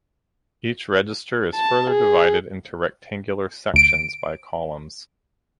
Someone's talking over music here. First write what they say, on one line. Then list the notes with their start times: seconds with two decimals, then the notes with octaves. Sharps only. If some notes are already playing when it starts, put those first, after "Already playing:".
Each register is further divided into rectangular sections by columns.
1.55 A5
1.90 G#4
3.74 D2 D7